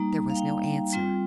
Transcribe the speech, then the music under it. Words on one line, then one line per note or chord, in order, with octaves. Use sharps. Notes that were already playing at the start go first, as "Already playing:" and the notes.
There was no answer.
Already playing: G3 A#3 D#4 A#5
F5
G5
G5
G3 C4 F4 G5